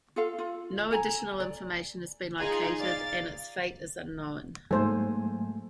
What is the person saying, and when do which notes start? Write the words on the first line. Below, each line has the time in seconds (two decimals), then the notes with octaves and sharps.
No additional information has been located, and its fate is unknown.
0.16 F4 A4 F5
0.38 F4
0.91 A4 G#5 A#5
1.40 D5
2.39 D#4 F4 G#4
2.80 D5 F5 A6
4.71 G#2 F#3 A3 A#3 A4 C5 G#5